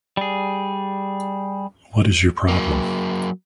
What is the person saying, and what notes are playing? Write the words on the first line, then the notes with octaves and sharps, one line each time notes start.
What is your problem?
G3 G#4
F#3 A#3